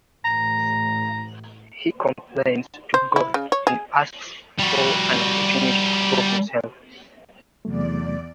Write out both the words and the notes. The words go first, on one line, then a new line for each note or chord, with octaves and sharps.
He complains to God and asks for an opportunity to prove himself.
A1 A2 A#5
C5
E4
C#3
C#5
G#4
G3 F#4
E2 C3 F#3 A3 D5